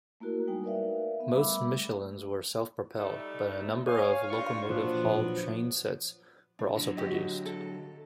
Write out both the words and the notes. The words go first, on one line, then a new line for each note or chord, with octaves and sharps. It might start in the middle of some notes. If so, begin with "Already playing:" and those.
Most Michelines were self-propelled, but a number of locomotive-hauled trainsets were also produced.
A3 A#3 E4 F#4 A#4
G3 G#3 D#4 G5
A#4 B4 D5 E5 F5
B3 E5
G3 A3 B5 D6 E6
G3 A3 D#4
C#5 F5 G#5
G2 F4 C#6
A#2 F3 F#3 B3 D4 C5
F3
D4
D3 F#3
F#4 G4 D#5
A4